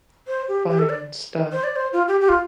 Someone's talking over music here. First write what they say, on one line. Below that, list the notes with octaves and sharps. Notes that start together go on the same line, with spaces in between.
Fine stuff.
C5
G4
G4
A4
D5
C5
D5
C5
F4
G4
G4
F4